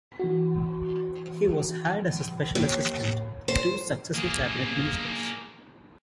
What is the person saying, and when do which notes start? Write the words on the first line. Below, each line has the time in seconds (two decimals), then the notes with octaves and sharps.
He was hired as a special assistant to two successive Cabinet ministers.
0.20 E3 F#4
2.55 D#2
3.48 C5
4.15 A#3 G#4